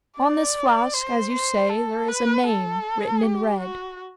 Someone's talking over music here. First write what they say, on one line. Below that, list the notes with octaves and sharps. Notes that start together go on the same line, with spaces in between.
"On this flask, as you say, there is a name written in red."
D5
C5
C5
A4
B4
A4
G4
F#4